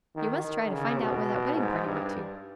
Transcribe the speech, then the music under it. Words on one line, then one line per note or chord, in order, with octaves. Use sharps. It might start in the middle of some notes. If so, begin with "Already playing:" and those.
"You must try to find out where that wedding-party went to."
D#3
D#3
C#3
B2
G#2
G2